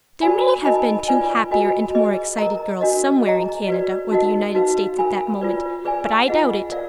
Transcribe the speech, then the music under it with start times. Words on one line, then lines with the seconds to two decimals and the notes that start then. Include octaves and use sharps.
There may have been two happier and more excited girls somewhere in Canada or the United States at that moment, but I doubt it.
0.21 F#4 A#4 D5 G#5 B5
0.65 D#4 A#4 D#5 G#5 B5
1.08 F4 B4 D5 G#5
1.51 F#4 A#4 D#5 G#5 B5
1.94 G#4 B4 D#5
2.38 A#4 D#5 A#5
2.81 D4 F#4 A#4 D#5
3.24 G#4 D#5 A#5
3.68 F#4 B4 D5
4.11 D#4 F#4 A#4 D#5 F#5
4.55 D#4 F#4 B4 F5
4.98 A#4 F5 G#5 B5
5.41 F4 B4 D5
5.85 G#4 B4 D5 G#5
6.28 F4 G#4 B4 D#5 F#5
6.72 A#4 D5 F5